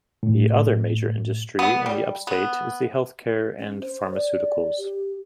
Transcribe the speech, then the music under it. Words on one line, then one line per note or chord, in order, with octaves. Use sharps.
The other major industry in the Upstate is the healthcare and pharmaceuticals.
A2
B3
G3
B3
C#4
C5
D5
G4